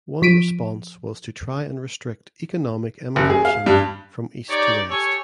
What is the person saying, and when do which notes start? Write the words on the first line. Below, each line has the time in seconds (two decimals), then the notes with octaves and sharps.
One response was to try and restrict economic emigration from east to west.
0.22 F3 B6 D7 D#7
3.16 F#1
3.30 G#4
3.45 F5
3.66 G2
4.49 D#4 G4 C#5 D5
4.90 G4 A4 C#5 G#5 C#6